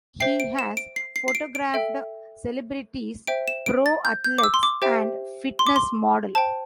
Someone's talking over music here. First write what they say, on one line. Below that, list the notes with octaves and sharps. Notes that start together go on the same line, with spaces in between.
He has photographed celebrities, pro athletes and fitness model.
C5 E5 G5 C7
D7
E7
D7
C7
C7
C7
D7
D7
A4 E5 G5
C5 E5 G5 D7
E7
D7
A6
G6
G6
D6
E6
C6
D6
G4 C5 E5 G5
C6
D6
C6
C5 G5 A5